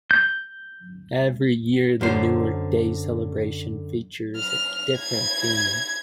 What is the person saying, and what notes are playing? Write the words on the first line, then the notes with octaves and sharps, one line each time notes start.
Every year, the Newark Days Celebration features a different theme.
G6
F#2 D3 C5
F6
G#6